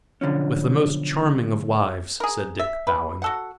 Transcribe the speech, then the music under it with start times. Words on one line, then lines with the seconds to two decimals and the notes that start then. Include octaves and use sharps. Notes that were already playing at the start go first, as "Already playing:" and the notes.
"With the most charming of wives," said Dick, bowing.
0.21 B1 D3 F3 C#4
2.20 G#4 A#4
2.59 E5
2.87 B4
3.22 F#4 A4 F#5